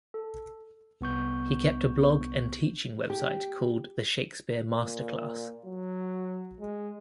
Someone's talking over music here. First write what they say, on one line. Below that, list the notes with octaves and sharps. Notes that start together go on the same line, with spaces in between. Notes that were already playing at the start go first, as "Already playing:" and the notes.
He kept a blog and teaching website called "The Shakespeare Masterclass".
A4
C2 B3 C#6 G6
G4
A#2
F#3
G#3